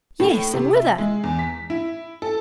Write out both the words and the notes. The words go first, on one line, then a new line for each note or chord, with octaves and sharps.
Yes, and whither?
A2
C3
E5
G#3
E2
B6
E4
A4